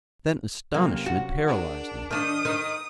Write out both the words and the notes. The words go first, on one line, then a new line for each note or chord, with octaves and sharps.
Then astonishment paralysed me.
C3 F#3 A#3 C#4
F#4
D4 G#4 A#4
D#3 D4 D#6
D#3 D#4